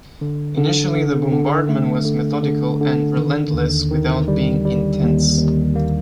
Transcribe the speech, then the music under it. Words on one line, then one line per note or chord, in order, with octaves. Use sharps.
Initially the bombardment was methodical and relentless without being intense.
D3
D3
D3
D3
A3
D3
D3
D3
D#3
D#2
D#3
G3
G3
D#2
D#2
A#3